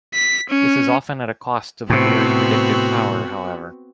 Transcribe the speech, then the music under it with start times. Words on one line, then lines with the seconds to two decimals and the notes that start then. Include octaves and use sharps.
This is often at a cost to the theory's predictive power, however.
0.14 B6
0.49 C#4
1.90 A2 C3 B3 C4 F#4